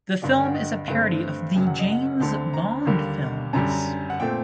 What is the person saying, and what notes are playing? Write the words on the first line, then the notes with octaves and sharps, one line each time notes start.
The film is a parody of the James Bond films.
G1 G2 D3 D5
G5
F#5
D#5
G2 D3 A3 C4
F#1 F#2 F#3 G5
F#5
D#5
F#5
D2 D3 A3 C4 A5
A#5
D#2 D3 G3 A#3
F#2 D3 G3 A#5
A#5
F#5
A#2 A3 C4 G5